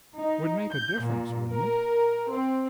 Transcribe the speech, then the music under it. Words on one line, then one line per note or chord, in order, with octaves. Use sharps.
Would make a difference, wouldn't it?
D#4
G6
A#2
A#4
C4